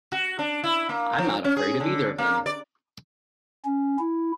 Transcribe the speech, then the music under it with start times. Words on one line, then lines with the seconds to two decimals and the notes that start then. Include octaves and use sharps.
I'm not afraid of either of them.
0.12 F#4
0.39 D4
0.64 E4
0.89 A#3
1.18 F3
1.44 C#4
1.57 G#4
1.80 D3
2.18 A#3
2.46 D5
3.65 C#4
3.99 E4